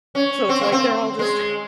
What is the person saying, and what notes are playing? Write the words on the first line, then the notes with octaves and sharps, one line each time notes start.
So it's like they're all just
C#4
C4
A#3
C4
G#3